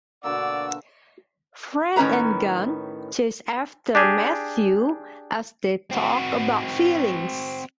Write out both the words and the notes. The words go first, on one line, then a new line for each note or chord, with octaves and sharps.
Fred and Gunn chase after Matthew as they talk about feelings.
B2 D3 A#3 F#4 D5 E6
A2 D#3 C#4 E4 B4 A#5
D4 G4 G#4
C4 F#4